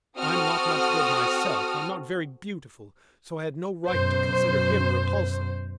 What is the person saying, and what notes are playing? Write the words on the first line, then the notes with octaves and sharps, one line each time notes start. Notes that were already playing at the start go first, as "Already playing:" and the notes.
I'm not much good myself, I'm not very beautiful, so I had no right to consider him repulsive.
C4 F#4 A4 D#6 F6
F#2 B2 C5